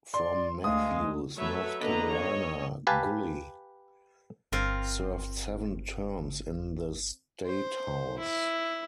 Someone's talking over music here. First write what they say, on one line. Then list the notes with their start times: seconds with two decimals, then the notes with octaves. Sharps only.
From Matthews, North Carolina, Gulley served seven terms in the state House.
0.14 D5 C6
0.64 D2 G#3 F5 D#6
1.36 F#3 A3 A4 B4 C#5 E5
1.80 D3 A#3 B3 B4 D#5 A#5
2.12 C#5 D#5
2.87 G4 B4 F5 G#5 A5
4.52 G1 C4 F4 A#4
7.46 C5
8.19 E4